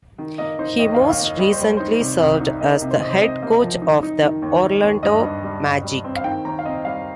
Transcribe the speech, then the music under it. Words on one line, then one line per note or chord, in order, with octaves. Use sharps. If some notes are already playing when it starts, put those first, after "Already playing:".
He most recently served as the head coach of the Orlando Magic.
D#3
A#3 D#5
D#4 C5
D#2 D#5
D#2 F5
F5
A#3 D#5
G3 D#5
C5
G3
D#4 C5
C3
C2
D#4
A#3 D#5
C3
C5
C3 D#5
C5
C3 D#5
A#3
F3
D#4
D#4
D#3
D#2
D#4
D#2
G2 D#5
G2
G3
G2
G3
C4
F5
D#3 G5
D#2 A#5
F5
C4 D#5
G3 F5